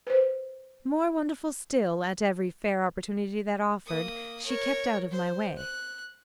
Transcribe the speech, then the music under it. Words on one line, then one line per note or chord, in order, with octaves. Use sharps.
More wonderful still, at every fair opportunity that offered, she kept out of my way.
B4 C5
A#3 D#6
A#4 C#5
C5
F#6